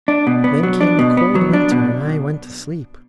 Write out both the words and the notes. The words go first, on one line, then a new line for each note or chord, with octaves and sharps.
Then came the cold winter, and I went to sleep.
D4
B2
B3
F#3
D4
B2
B3
F#3
D4
B2